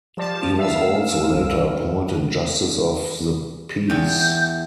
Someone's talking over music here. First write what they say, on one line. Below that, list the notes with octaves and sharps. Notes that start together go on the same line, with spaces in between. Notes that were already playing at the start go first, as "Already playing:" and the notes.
He was also later appointed justice of the peace.
F3 G4 D5 A5
E5 F5 E6
A3
G1 C2 G3
E2 G5 G6